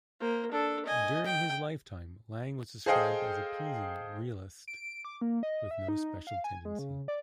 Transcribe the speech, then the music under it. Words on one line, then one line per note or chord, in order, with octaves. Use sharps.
During his lifetime, Lange was described as a pleasing realist with no special tendency.
A#3 C5
D4 A4
D#5 G#5
G5
G#4 A4 C5 D#5 F5 G5
D7
D6
A#3
D#5
E5
D#4
F5
G#5
G#3
C#3
D5